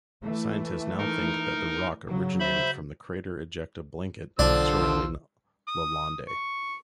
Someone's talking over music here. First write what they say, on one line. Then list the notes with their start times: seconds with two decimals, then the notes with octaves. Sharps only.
Scientists now think that the rock originated from the crater ejecta blanket surrounding Lalande.
0.22 E3 A3
0.98 D#4 A#4
2.07 C#3 F#3
2.40 C5 E5 B5
4.39 B1 D3 F3 D4 C5 E6
5.68 D#6
6.28 C#6